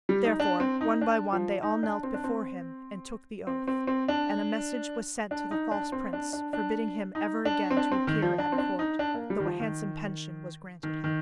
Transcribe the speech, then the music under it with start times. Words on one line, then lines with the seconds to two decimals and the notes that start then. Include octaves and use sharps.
Therefore one by one they all knelt before him and took the oath, and a message was sent to the false prince, forbidding him ever again to appear at court, though a handsome pension was granted him.
0.09 G3
0.25 D#4
0.40 D4
0.60 C4
0.81 D#4
1.01 D4
1.32 F3
1.62 D#4
1.83 D4
2.03 C4
2.14 D4
2.24 C4
3.47 C4
3.68 C4
3.87 C4
4.08 D4
5.31 D4
5.51 D#4
5.71 D4
5.92 C4
6.13 D4
6.33 D4
6.53 D4
7.15 D#4
7.45 D4
7.71 C4
7.77 D4
7.92 C4
8.07 D#3
8.22 F3
8.38 D4
8.52 C4
8.58 D4
8.79 D#4
8.99 D4
9.14 A#3
9.30 G3
9.40 D#3
9.45 F3
9.60 D#3
10.83 D#3
11.04 D#3